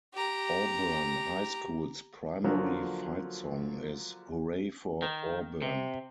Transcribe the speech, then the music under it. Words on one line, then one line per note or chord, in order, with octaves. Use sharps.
Auburn High School's primary fight song is "Hooray for Auburn!".
G4 A#5
D3 F3 F#3 A#3
D#3
C3